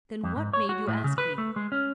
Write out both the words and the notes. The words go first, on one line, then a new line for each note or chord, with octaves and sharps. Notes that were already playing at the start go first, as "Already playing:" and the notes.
Then what made you ask me?
F2
G#2
C#5
F#4
A2
C#3
B4
A3
G#3
C#4